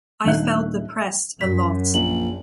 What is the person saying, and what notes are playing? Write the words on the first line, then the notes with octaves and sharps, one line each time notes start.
I felt depressed a lot.
D#1 D#3 D4 D#4 E5 F#6
F#2 B6
A#1 F#7